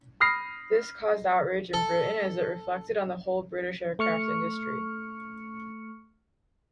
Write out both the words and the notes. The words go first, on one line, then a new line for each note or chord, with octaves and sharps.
This caused outrage in Britain as it reflected on the whole British aircraft industry.
B5 D#6 F6 A#6 C7
A4
A3 C#6 F6 C#7